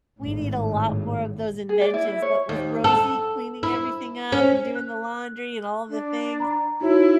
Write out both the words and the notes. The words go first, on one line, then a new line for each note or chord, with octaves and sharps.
We need a lot more of those inventions, but with Rosey cleaning everything up and doing the laundry and all the things,
G#1 A2
G#4
D5
E4
E4
C#5
D#2
A4
E4
C#4
F#6
D4
A#5 B5
D#4 E4 F#4 C#5